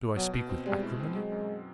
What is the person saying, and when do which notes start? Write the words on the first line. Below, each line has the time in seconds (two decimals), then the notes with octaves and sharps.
Do I speak with acrimony?
0.16 B2 F#3
0.33 B2
0.49 C4
0.66 G3 G#3
0.83 E4
1.00 C4
1.16 F#3 G#3
1.32 F#2
1.49 F#3